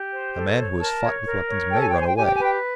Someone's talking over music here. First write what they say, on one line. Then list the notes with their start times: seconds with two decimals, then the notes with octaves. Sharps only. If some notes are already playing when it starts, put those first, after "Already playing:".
A man who has fought with weapons may run away.
Already playing: G4
0.13 C5
0.37 A4
0.59 C#5
0.81 A#4 A5
1.03 C#5
1.26 A#4
1.48 C#5
1.71 A4 G5
1.80 G#5
1.89 G5
1.95 C5 G#5
2.07 G5
2.16 G4 G#5
2.25 G5
2.34 G#5
2.39 B4
2.44 G5